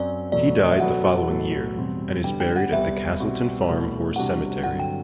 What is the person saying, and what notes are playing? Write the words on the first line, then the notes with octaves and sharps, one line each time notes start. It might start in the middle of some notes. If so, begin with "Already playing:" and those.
He died the following year, and is buried at the Castleton Farm horse cemetery.
Already playing: F#2 F#3 C4 D5
E2 B2 F#3 A3 D5
E5
B2 F#3 B3 F#4 A4 F#5
A2 F#3 B3 F#4 A4
E2 B2 G3 C4
D3 G3 B3 G5
G5
F#5
C2 C3 G3 B3 E5
B2 G3 C4 F#4
B2 A3 E4
C3 G3 D4 F#4 F#5
G2 D3 F#3 C4 F#5
G5